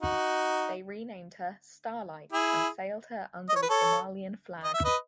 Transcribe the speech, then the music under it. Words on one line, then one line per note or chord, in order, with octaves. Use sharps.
They renamed her "Starlight", and sailed her under the Somalian flag.
D#4 F#4
E4 G#4
D#5
C#5
B4
A4 C#5
D#5
E5
B4 D#5